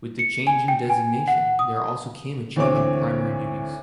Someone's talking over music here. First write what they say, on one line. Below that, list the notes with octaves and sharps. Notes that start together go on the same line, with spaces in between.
With the change in designation, there also came a change in primary duties.
C#7
G#5
G5
G#5
F#5
D#6
D2 E3 C4 C#5 D6